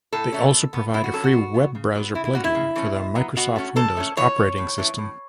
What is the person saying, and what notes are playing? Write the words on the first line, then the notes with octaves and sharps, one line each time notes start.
They also provide a free web browser plug-in for the Microsoft Windows operating system.
A2 A4
F#3 A3 C#4
B2
B3
B2 E4
F#4
F#3 C#4 A4
F#4
B2
F#3 B3
C#3
F#3 B3
C#3 E4
E4
E3 A3 C#4 F#4
E4
C#3
E3 A3 C#4
B2
F#3 B3
B2 F#4
A3 C#4
C#3 A4
A3 C#4
E3 C#5
C#4
A2
E3 A3 C#4
A2